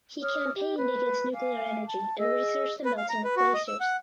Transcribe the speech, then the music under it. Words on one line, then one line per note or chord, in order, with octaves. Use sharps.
He campaigned against nuclear energy and researched the melting of glaciers.
C#5 D6 D#6 F6
G4
B4
F5 G#5 D6
A5
G#4 D#5 E6
B4
F5
A#5
B4
F#4
D#5
E6
F#5